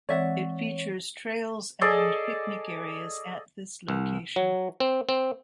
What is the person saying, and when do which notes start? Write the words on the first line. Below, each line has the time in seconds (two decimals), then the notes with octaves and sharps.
It features trails and picnic areas at this location.
0.09 E3 G#3 C4 C#5 D5 E5 F#5
1.81 G#4 A4 D5 D#5
3.88 C2
4.36 F#3
4.80 C4
5.09 C4